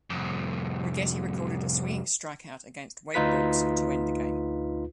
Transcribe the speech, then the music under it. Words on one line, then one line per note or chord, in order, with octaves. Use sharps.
Righetti recorded a swinging strikeout against Wade Boggs to end the game.
C2 F2
D2 D#4 F4 B4 B6